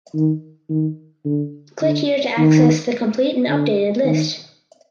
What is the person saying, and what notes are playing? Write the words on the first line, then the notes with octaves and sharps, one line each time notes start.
Click here to access the complete and updated list.
D#3
D#3
D3
D3
D#3
D3
D#3